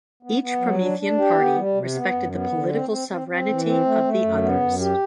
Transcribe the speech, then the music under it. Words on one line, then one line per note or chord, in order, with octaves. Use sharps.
Each Promethean party respected the political sovereignty of the others.
B3
B3
F#3
D4
D4
G4
B3
G3
C3
B3
F#2
B3
D3
C4
C4
C4
C4
E3
C4
A3
A3
F#2
B3
F#2
G4